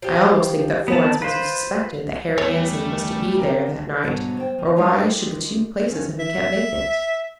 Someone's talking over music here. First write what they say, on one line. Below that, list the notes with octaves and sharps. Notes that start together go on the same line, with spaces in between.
I almost think that Florence must have suspected that Harry Annesley was to be there that night, or why should the two places have been kept vacant?
F3 G4
B3 C4 A#4 B4 A5
F4 B4 C5
E2 G3 A3 C#5
C3 A#4 G5
G#2 B2 D3 E3 F#3 G3
C5 G5
F3
G3 G#3 A#3 D#4 F4 G4
D#2 F3 C#4
E5